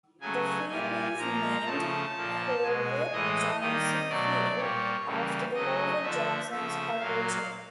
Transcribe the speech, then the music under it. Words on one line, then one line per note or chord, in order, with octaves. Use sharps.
The field is named "Howard Johnson Field", after the Howard Johnson's hotel chain.
C#3 F#3 A3 G#5
A#2 G3 A#3 G#5
A#2 F3 A#3 A#5
C#3 F3 A3 A5
A#2 F3 A#3
B2 G#3 G#5
A2 E3 G#3 D#5
D#3 G3 A#3 D#5
B2 F#3 A3 D5
A#2 G3 A#3 C#5
C#3 E3 G3 A#3
C#3 F#3 A3 D#5
D3 F3 A3 E5
C#3 F3 A3 E5
A#2 F#3 A#3 F5